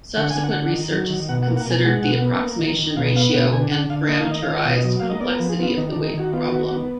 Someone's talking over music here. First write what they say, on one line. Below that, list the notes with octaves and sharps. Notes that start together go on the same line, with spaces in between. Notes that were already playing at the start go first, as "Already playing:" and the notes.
Subsequent research has considered the approximation ratio and parameterized complexity of the weighted problem.
D3 F#5
G#5
D3
F#5
D3
D#3
F#3
D#3
B2 F#5
F#5
A#3
F#5
B2 G#5
G#3 F#5
B2
B3
A#3
D#3
D#3
B2 F5
B3 F5
B2 F#5
D3 G#5
D3 F#5
D3 F5
A#3 D#5
F5
D#3 D#5
D#3 F5
D#5
B2 F5
D#5
F#3
A#3 F5
D#5
B3 D5
A#4
F3
G#4
B3 F4
D#3 D#4
D4
D#3
D#4
D#3
F#4
B3 F4
D#3 F#4
B3